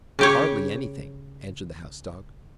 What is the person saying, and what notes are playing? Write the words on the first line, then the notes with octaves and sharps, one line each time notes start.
"Hardly anything," answered the House Dog.
C#3 G4 C#5